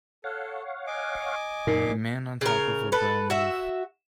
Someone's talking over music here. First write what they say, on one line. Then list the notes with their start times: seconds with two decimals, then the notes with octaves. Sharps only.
A man on top of a brown roof.
0.24 A4 C#5 F5 F#5
0.87 D#5 G#5 D6
1.67 F#2 A#2 A#3 D#4 A#4
2.41 C#3 A#4
2.92 A4 B4
3.30 F#4 E5